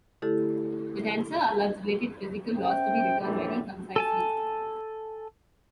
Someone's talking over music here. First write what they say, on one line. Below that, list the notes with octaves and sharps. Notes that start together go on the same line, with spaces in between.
The tensor allows related physical laws to be written very concisely.
D3 A3 E4 G4 A4
C#4 C5 E5 G5
A#1 F#2 A2 D3 E3 G3
A4 G#5 A5